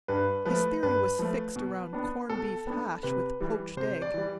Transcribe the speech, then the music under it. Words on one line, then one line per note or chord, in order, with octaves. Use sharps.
His theory was fixed around corned-beef hash with poached egg.
G2 B4
F3 A3 B4
G2 B4
F3 A3
B2
B3 D4
B2 A4
B3 D4
C3 B4
E3 G3
C3 C5
D5
E3 G3